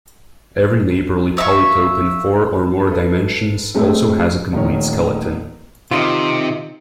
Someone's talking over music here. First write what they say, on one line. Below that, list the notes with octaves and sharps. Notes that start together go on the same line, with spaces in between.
Every neighborly polytope in four or more dimensions also has a complete skeleton.
C#5 E5 F5 C#6
A4 B4
A2 G#3 A3 C4
D#1 A2 D#3 C#5
C3 D#3 D#4 F4